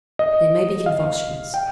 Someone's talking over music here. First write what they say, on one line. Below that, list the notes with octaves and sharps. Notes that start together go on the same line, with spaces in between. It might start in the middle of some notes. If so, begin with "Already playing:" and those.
There may be convulsions.
D#5
F5
G5